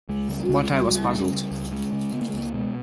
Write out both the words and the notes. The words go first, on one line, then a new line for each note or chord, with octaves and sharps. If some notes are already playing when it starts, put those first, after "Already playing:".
But I was puzzled.
C#2 G#3
C#3 G3
C#2 G#3
C#2 G3
C#2 G3
C#3
C#3
C#2
C#3 G#3
C#3
C#3 B3
A#3
G#3
C#2 A#3
B2 G#3